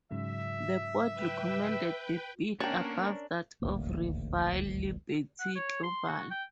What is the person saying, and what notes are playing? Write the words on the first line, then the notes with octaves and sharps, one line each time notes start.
The board recommended the bid above that of rival Liberty Global.
G#2 C#3 F#3 E5
B4 G5
A#3 B3 C#4 D4 A#4 C#5 G5
D#1 A1 D2 A#3
F#5
C#5
C6
F#4
G5